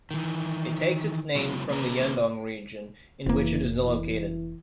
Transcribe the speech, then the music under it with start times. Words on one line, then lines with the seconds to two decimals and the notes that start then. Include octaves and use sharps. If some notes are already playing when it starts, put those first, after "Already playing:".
It takes its name from the Yeongdong region, in which it is located.
0.11 D#3 E3
1.35 C3 F#3 G#3 B3 E4 F#4
1.70 A#3 C#4 G#4 B4 A#5
3.26 F1 E3 A#3
3.83 E3